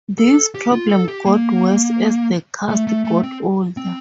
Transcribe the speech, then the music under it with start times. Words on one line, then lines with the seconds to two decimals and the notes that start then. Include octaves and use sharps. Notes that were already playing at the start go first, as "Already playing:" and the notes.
This problem got worse as the cast got older.
0.18 A4
0.55 G4
0.72 F4
0.90 A4
1.08 G4
1.26 A#3
2.69 A3
2.87 A3
3.05 A3
3.23 C4
3.77 C4